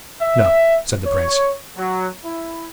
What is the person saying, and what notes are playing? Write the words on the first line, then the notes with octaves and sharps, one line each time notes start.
'No,' said the Prince.
E5
C#5
F#3
E4